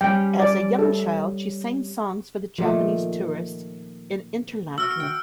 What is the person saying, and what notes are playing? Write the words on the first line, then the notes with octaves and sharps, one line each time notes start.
As a young child, she sang songs for the Japanese tourists in Interlaken.
G3 C#4 G5
D5
A4
A#2 D#3 F3 A3
F#4 E6 F6
G5